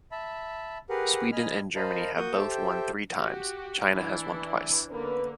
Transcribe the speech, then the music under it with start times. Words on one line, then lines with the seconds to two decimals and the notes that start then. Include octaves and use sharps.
Sweden and Germany have both won three times, China has won twice.
0.11 E5 A5 B5
0.89 G4 G#4 A#4 B4 F#5
1.32 D#5 G#5 B5 F6
1.76 A#4 C5 D#5 F5 A5 B5
2.17 A#3 F#4 C#6 D#6 G6
2.37 G4 A4 C5 E5 G5
3.17 F#4 G4
3.90 E3 D4 E4
4.89 D3 A#3 B3 C#4 B4